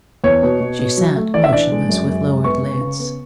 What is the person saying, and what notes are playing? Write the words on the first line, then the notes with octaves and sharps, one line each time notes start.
She sat motionless, with lowered lids.
E2 C#5
B2
B2
B2
F#3
A3
E3 D5
E5
D4 D5
G#3
F#2
F#2
G#3
B3 C#6
C#3
C#3
B3